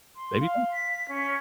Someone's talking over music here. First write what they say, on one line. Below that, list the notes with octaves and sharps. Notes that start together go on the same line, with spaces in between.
maybe not.
C6
F5
B6
C#4